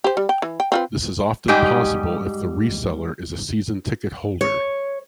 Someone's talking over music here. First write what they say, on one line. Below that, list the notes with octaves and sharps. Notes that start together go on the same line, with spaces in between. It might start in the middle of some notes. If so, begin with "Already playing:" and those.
This is often possible if the reseller is a season ticket holder.
G4 C5
G3
G5
E3
G5
C4 F4 B4
G#2 G3 G4 D#5 G#5
C#5